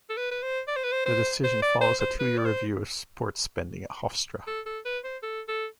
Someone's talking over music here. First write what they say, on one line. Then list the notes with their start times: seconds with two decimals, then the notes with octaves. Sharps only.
The decision follows a two-year review of sports spending at Hofstra.
0.09 A4
0.17 B4
0.32 B4
0.43 C5
0.68 D5
0.76 C5
0.84 B4
0.92 C5
1.06 C5
1.44 C5
1.62 D5
1.81 C5
2.01 C5
2.19 B4
2.38 D5
2.45 C5
4.47 A4
4.66 A4
4.85 B4
5.04 C5
5.23 A4
5.48 A4